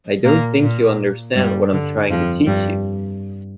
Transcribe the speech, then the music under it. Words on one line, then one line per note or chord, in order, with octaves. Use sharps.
I don't think you understand what I'm trying to teach you.
A#2 A#3
A#2 A#3
G2 G3
D3
F2 F3
G2 G3